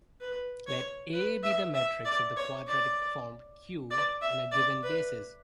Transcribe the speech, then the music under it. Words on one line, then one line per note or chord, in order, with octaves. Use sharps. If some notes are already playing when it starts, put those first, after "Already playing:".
Let "A" be the matrix of the quadratic form "q" in a given basis.
B4
C#5
B4
E5
E5
D5
C#5
D5
D5
E5
D5
B4